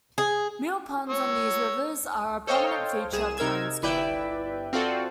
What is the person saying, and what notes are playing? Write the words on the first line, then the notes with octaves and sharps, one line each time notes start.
Mill ponds on these rivers are a prominent feature of the landscape.
G#4
C#5 E6
A4 C5 C#5 D#5 F5 G5
C2 G#4 E7
C3 D#4 A#4 E6 G#6
G1 E4 B4 D5 E5 G5
C4 F4 F#4 A4 D5